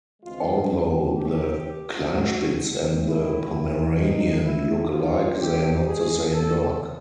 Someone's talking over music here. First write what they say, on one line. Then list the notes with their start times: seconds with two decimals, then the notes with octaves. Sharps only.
Although the Kleinspitz and the Pomeranian look alike, they are not the same dog.
0.23 D2 C3 E3 G#3 C4 F4
1.16 E2 C3 F3 G4
2.10 F2 C3 E3 G3 F#4
3.03 G#2 E3 G#3 C#4 E4
3.97 F#1 F2 C3 D#4
4.44 E4
4.91 D#2 D#3 G3 F4
5.38 G4
5.84 G#2 F3 G#3 G#4
6.32 A4